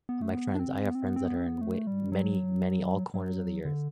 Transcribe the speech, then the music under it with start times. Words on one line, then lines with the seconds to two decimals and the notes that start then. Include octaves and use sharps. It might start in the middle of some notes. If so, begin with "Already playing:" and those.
My friends I have friends that are in w many, many all corners of the Earth,
0.09 B3
0.22 A3
0.34 B3
0.55 D4
0.59 C4
0.85 B3
0.95 C4
1.05 B3
1.16 C4
1.26 B3
1.36 C4
1.47 B3
1.61 A3
1.87 G3
2.12 F#3
3.14 F#3
3.65 D3